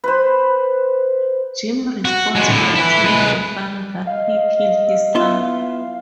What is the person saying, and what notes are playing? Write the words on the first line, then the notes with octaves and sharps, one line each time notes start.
Jim responds by telling the father that he killed his son.
B4 C5
F#4
G#3 F#4
A2 D3
E4 B4
G#3 B4
D#5 F5
B3 E4 F4